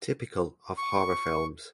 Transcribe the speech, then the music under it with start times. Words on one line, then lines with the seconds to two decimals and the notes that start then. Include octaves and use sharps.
Typical of horror films.
0.78 C#6